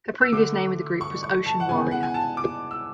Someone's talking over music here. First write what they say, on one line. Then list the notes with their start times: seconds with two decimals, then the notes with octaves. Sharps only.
Her previous name with the group was "Ocean Warrior".
0.21 E6
0.32 D3 A3 D6
1.01 C#6
1.23 C#6
1.46 A5
1.60 F#5
1.69 C#3 E3 G#3 B3 G#5
1.91 F#5
2.03 G#5
2.14 A5
2.37 D6
2.71 E6